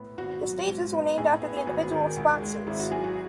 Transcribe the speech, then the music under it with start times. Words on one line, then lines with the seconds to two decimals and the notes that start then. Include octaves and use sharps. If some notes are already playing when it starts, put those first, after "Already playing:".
The stages were named after the individual sponsors.
Already playing: A2 B3
0.17 G#1 F#4
0.43 F#3
0.67 G#2
0.93 B3
1.17 A2 G#4
1.42 B3
1.57 G#4
1.67 G#1 F#4
1.92 D#3
2.16 C#2
2.42 G#3
2.67 G#1 E4
2.79 F#4
2.91 F#3 G#4
3.04 F#4